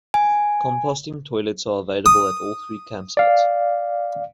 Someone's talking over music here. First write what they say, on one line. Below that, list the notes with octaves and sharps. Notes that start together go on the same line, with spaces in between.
Composting toilets are available at all three camp sites.
G#5
D#6
D5 F5